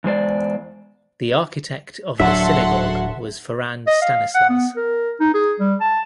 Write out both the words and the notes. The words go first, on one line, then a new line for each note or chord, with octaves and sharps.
The architect of the synagogue was Ferrand Stanislas.
E2 G#3 C5 D5
D1 F#3 D4 A4 E5 F#5 C6
D#5
F5
F#5
B3
A#4
D#4
G#4
G3
A5